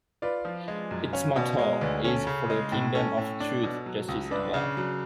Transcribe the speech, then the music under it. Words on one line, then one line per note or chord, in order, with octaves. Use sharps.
Its motto is 'For the Kingdom of Truth, Justice and Love'.
F4 B4 D5
F3
G#3
F#2
C#4 C#5 F5
B2 D5 F#5
G#3 C#5 F5
D2 B4 D5
C#4 A4 C#5
C#3
G#3
A2
C#4 A4 C#5
A2
D4
B2
F#3
C#2
D4 B4 D5
C#3
F#3